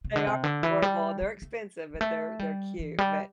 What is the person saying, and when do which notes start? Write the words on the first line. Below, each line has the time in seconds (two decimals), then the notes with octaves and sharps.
They are adorable. They're expensive, but they're they're cute. But,
0.05 C3
0.16 D3
0.27 C3
0.44 D3
0.63 E3
0.82 G3
1.22 G3
1.42 A3
1.94 G3
2.01 A3
2.39 G3
2.79 E3
2.98 G3